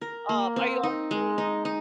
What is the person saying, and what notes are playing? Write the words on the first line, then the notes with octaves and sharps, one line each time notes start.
Um, are you also doing
A#4
A#3
C4
D#4
G#3
D#4
D#4